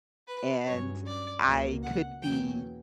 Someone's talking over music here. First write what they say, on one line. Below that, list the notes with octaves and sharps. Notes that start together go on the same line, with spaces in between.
and I could be,
B4
G2 F#3 C#4 C#5
D5
C#2 B2 F#3 A#3
F#5
E2 B2 F#3 A#3 C#4 G5